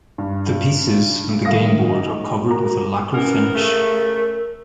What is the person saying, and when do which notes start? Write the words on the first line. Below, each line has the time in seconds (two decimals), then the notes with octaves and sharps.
The pieces and the game board are covered with a lacquer finish.
0.18 G2
1.45 A2 D#3 G3 F5 D#6 A#6
1.90 D#4
2.49 F#4 A#4 A#5
3.13 E3 B3 C#4 A#4
3.54 C#3 A3 A#4